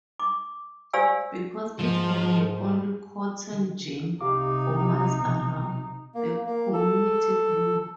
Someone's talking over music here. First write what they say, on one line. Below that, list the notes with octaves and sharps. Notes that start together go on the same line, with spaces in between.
Because it had the only cotton gin for miles around, the community grew.
D6
G4 C5 D5 F5 G#5 E6
G#2 F3
D3
C3 D#4 G4 F5 D6
B2
A#3
A#3
A4